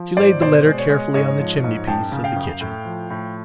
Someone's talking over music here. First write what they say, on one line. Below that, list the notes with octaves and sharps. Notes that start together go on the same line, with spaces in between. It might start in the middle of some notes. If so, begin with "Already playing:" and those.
She laid the letter carefully on the chimney-piece of the kitchen.
Already playing: F3
G#2 C5 D5
B2 C5 D5
G#3
C#5
G#3
G#2 C#5 D#5
F3
G#2
F#2 G5 A5
C#3
F5 G5
F#2
A2
F3
A2